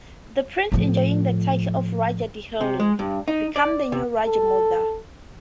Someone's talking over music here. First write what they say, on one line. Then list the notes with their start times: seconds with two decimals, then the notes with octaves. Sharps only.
The prince enjoying the title of Raja di-Hilir, becomes the new Raja Muda.
0.72 A2 F3
2.61 C3
2.80 G#3
2.99 G2
3.28 D#4
3.56 D5
3.92 C3
4.26 A4